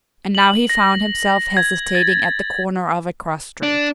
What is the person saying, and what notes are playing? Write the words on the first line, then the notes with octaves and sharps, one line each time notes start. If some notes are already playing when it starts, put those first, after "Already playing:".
And now he found himself hesitating at the corner of a cross street.
F#7
A#6
G#6
A6
D4